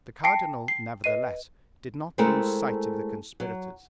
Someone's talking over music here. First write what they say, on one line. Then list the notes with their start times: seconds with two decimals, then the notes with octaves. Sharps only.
The cardinal, nevertheless, did not lose sight of the conspirators.
0.24 G5 A5 A#6 C7 C#7
0.68 C7
1.04 B4 D#5 C7 D#7
2.18 G#3 A3 C4 E4 A4 A#4
3.40 F#3